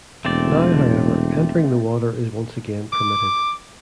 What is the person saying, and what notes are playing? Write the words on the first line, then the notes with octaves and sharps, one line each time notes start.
Now, however, entering the water is once again permitted.
E1 A3 C4 D5
D6